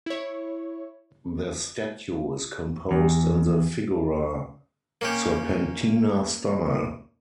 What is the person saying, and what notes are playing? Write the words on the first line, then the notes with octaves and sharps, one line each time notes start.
The statue is composed in the figura serpentina style.
E4 C#5
E2
A#3 C#4 G4